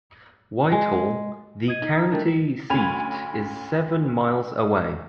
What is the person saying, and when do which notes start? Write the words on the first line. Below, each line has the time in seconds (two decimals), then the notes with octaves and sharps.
Whitehall, the county seat, is seven miles away.
0.72 G#3
1.68 D#5 D#6 G#6 D#7
1.82 D#4
1.98 E4 A#5 B6
2.11 G3 A3 D4 A#4
2.70 D2 C#4 G#5 B5 F7